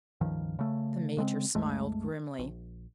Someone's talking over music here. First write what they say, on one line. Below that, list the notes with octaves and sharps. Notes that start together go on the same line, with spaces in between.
The Major smiled grimly.
C#2 G2 D#3 F3
C#3 A3
C#3 G#3 A#3 C4
C2 F#2 G#3 A3
A#1